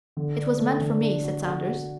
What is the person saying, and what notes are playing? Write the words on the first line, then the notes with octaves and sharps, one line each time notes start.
"It was meant for me," said Saunders.
D3
D4
A3
D3
D4
F#4
F#4
F#4